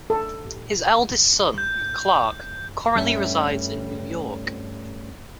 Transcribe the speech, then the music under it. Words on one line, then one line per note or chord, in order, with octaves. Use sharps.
His eldest son, Clark, currently resides in New York.
A4
G6
G2 G3 A3 C#4 E4 E5